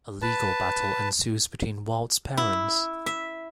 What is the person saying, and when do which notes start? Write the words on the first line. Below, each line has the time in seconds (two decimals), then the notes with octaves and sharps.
A legal battle ensues between Walt's parents.
0.22 B4 A5
2.37 E4
3.06 E5